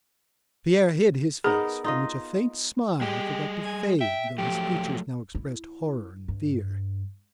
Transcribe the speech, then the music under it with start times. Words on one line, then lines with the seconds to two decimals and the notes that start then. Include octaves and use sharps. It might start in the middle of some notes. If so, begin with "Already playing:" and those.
Pierre hid his face, from which a faint smile forgot to fade though his features now expressed horror and fear.
1.44 B3 D#4 G#4 A#4
1.84 D#4 F4 D#5
3.01 G3 G4 G#4 D#5
3.66 G#5
4.01 E5 G5
4.38 F3 F#3 A3 G4
5.35 E4
6.28 G2